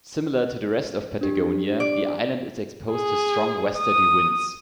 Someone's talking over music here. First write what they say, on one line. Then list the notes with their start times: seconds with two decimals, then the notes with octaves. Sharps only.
Similar to the rest of Patagonia, the island is exposed to strong westerly winds.
1.21 D4 G4
1.80 D5
2.92 G#4
3.78 D#6